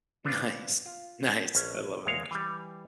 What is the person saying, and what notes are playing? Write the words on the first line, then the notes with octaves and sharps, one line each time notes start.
Nice, nice, I love it.
B3 C4 D4 F4
F4
A#1 C#4 B4
E2 G#3 C#5 D#5 F5
E3 G3